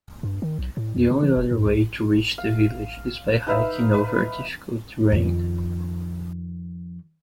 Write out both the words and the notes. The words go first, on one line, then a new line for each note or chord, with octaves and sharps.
The only other way to reach the village is by hiking over difficult terrain.
G2
D#3
B1
A2
E2
C#3
E3
E1
G2
C2
F5
D#4 B4 E5 F5
B4
F2 D#3